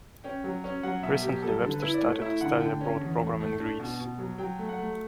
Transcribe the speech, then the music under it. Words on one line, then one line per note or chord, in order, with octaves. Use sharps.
Recently, Webster started a study abroad program in Greece.
C#4 G5
F#3
C#4
F#3 F#5
B2 E5
F#3 G4
G4
G3 A4
D3 A4
B4
E4
D5
A3 C#5
E4 E5
D3 F#5
D3 G5
C#4
E2
A3
A3
D4
B2
B2
F#3
F#3 G5
A3
F#5
A3